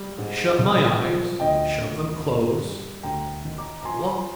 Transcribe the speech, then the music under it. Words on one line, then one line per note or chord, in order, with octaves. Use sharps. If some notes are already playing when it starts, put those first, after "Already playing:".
I shut my eyes--shut them close--and lo!
Already playing: G3
G#2
C2
F3
D2 D#5 G5
D2
G2
G3
D2 G5 A#5
D#3
A#5 D6
A#5
F3 G#5 C6